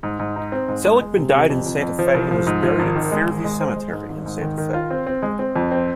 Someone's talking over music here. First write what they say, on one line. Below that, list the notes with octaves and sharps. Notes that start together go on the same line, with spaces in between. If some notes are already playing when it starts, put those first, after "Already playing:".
Seligman died in Santa Fe, and was buried at Fairview Cemetery in Santa Fe.
G#2
G#2
D#4
C4
G#2
G#3
G#3
C3
C3
F2
F2
F2
F3
C2
F3
G#2
F3
G#1
D#3
G#3
G#1
G#3
C5
G#3
G#2
G#1
G#2
D#3
D#3
F4
C4
C4
G#3
C4
F2
C4